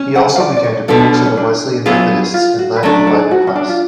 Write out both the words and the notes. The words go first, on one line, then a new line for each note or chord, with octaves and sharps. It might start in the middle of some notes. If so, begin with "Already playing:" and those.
He also began to preach to the Wesleyan Methodists and lead a Bible class.
Already playing: C#4
F#5
F5
D5
D5
C#5
B2 G#3 B3 D4 A4
C#4
C#4
D4
F#3 B3 F4 G#4
F4
F#4
B4
F#3 A3 D4 A4
A4
G#4
F#4
C#4
D4
F4